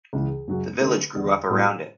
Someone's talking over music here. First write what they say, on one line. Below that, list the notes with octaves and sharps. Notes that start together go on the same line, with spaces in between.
The village grew up around it.
C#2 C#3 E3
F#2 C#3 F#3 C#4 F#4
D3 A3 C#4 G4 B4
E2 D3 G3
A2 G3 B3 F#4